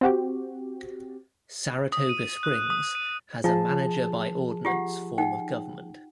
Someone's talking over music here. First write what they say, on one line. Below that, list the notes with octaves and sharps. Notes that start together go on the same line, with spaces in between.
Saratoga Springs has a manager-by-ordinance form of government.
C4 F#4 G4
D#6
D#7
F#6
D#6
D#7
F3 F4 G#4 A5
F4 G4 F#5
D#4 F#5 G5